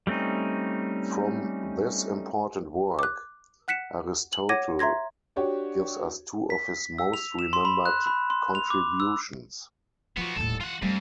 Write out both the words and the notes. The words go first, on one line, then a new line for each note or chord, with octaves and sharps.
From this important work Aristotle gives us two of his most remembered contributions.
G3 A3 C4 C#4 D#4
D6 F#6
F#5 F#6 B6 C#7 E7
F#7
C#5 F#5 D6 G#6 A#6 D#7
E5 A#5 C6 G#6 A#6
D4 F#4 G4 C#5
B6
E6
F7
E7
C6
B5
F#6
B5
C6
F7
D6
E6
F3 F#3 B3
D#1 A2 A4
E3 F4 F#5
F2 G3 A3